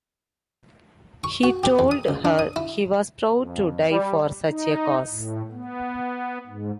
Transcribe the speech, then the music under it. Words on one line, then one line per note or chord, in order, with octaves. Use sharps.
He told her he was proud to die for such a cause.
C#6
F#4
G4
E2
D#6
C#2
D4
D#6
E4
F2
G3
D#4
A2
B3
G#2